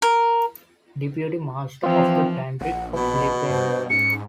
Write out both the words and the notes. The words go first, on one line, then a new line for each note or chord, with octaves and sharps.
Deputy Master of the Pantry of Lithuania.
A#4
E3 F3 C4 F4
A#1 F#5
B2 B5
G2 C5
G#2 C#4 C#7